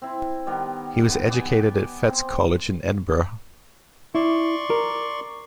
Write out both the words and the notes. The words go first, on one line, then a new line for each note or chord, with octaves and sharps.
He was educated at Fettes College in Edinburgh.
C4 E4
D#3 G3 B3
B3 G5
B3 D5 G5 G#5
C4
E4 D5 C6 C#6
A#4